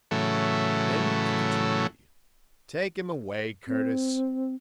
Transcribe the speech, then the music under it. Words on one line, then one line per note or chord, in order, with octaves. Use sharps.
Then to the turnkey: "Take him away, Curtis."
A2 C#3 E3 F#3 A3
C4